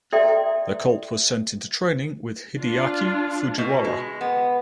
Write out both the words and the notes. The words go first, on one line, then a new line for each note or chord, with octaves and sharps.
The colt was sent into training with Hideaki Fujiwara.
A4 D5 E5 G5 A#5 C6
D4 F4
B2
G#3
B3